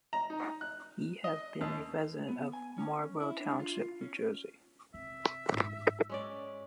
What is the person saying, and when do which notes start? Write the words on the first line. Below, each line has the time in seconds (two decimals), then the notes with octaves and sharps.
He has been a resident of Marlboro Township, New Jersey.
0.13 A#5
0.30 D#4
0.61 F#6
1.24 D#5
1.61 D#2
2.28 B3
2.53 G#5
2.78 C#4
3.20 E4
3.40 D4
3.60 F4
4.01 C#4
4.94 C3 E5
5.52 G#2 F4
6.10 G#3 C#4 D5